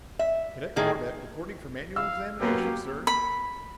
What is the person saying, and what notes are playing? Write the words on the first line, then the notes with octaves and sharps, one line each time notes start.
"Cadet Corbett reporting for manual examination, sir!"
E5
A2 D#3 G#4
F5 E6
F#2 A#3 B3 G4
B5